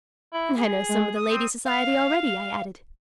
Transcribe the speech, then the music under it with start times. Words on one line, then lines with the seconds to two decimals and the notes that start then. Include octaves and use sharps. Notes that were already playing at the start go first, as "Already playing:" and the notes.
"And I know some of the lady-society already," I added.
0.33 E4
0.58 G#4
0.89 G#3
1.15 D#6
1.30 C4
1.65 F5